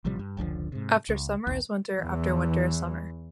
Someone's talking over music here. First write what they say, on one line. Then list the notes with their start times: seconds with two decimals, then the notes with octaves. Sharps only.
After summer is winter, after winter summer.
0.05 A1 C3 F3 G3
0.19 G2
0.37 F1 C#2 D3 F3
0.72 G#2 C3
1.09 C#2
1.47 A#1 D#2
1.98 E2 E3